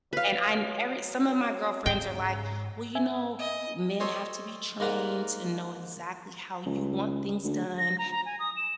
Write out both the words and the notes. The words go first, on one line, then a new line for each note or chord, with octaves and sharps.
and I every some of my girlfriends are, like, "Well, you know, men have to be trained to know exactly how you want things done."
F#3 B4 F5
G#2 C#3 G5
E5 G#5
D#5
A4 C5 C#5 D#5
G#2 A#3 A#4 B4 A#5
C#2
D2
A#6
A#5
A#5
G#5
D#6
E7